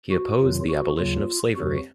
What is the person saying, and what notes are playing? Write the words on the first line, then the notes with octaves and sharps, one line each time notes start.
He opposed the abolition of slavery.
F#4
F2 C3 D#3 F#3 F4
F#4
D#2 C#3 F#3 F4
F2 C3 F#3 F#4